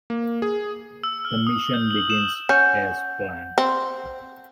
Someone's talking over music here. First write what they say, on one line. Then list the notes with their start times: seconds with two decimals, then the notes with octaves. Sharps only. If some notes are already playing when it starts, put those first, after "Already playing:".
The mission begins as planned.
0.10 A#3
0.42 G#4
1.04 E6
1.25 F6
1.47 D#6
1.74 G6
1.91 F#7
2.10 E7
2.49 C#4 F#5 G6
3.58 C4